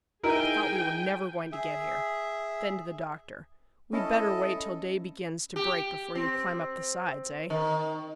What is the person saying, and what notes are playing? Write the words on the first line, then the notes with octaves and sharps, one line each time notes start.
"I thought we were never going to get here." Then to the doctor, "We'd better wait till day begins to break before you climb up the sides, eh?"
D#4 E4 G#4 A#4 G5 G#5
G#4 E5
C#4 E4 A4 D#5
G4
C4
D#3